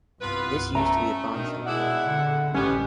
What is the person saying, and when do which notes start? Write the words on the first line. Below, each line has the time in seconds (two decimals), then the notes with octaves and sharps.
This used to be a bomb shelter.
0.20 C2 G2 B3 F4 B4
0.75 A3 B3 C#4 A#5
1.32 B2 D#3 D4
1.66 G#3 D4 E4 F#5
2.06 A#2 D3
2.54 A1 G2 B2 B3 C#4 G4